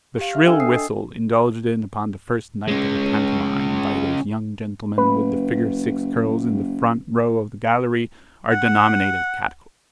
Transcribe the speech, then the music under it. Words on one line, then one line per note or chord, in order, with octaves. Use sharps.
The shrill whistle indulged in upon the first night of a pantomime by those young gentlemen with the figure six curls in the front row of the gallery are denominated cat-calls.
G4 F5
E5 F6
D4 A4 G5 G#5 E6
D#6 C7
D#5
G#3 C#4
F#1 B4
F#5